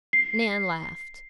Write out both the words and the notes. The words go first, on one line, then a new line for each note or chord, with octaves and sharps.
Nan laughed.
C7